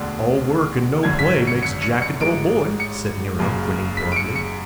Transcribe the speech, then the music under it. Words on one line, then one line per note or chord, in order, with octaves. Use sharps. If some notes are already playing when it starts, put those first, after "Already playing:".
"All work and no play makes Jack a dull boy," said Nero, grinning broadly.
Already playing: E1 D2 D3
G#1 F#2 D3 G#6
B6
C#7
C#7
C#7
C#7
A1 G#2 G#3 D7
C#7
F#1 F#2 C#3
B6
D7
C#7
C#7